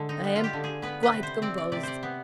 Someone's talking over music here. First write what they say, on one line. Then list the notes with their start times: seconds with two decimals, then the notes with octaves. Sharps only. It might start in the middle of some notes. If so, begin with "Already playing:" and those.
"I am--quite composed."
Already playing: D3 G#3
0.09 D#4
0.24 B3
0.36 F4
0.44 G4
0.53 D3
0.64 G#4
0.82 B3 B4
1.03 B4
1.12 C3
1.23 C5
1.42 C4 D5
1.58 D5
1.72 C3 D5
1.83 C5 D5
2.03 B3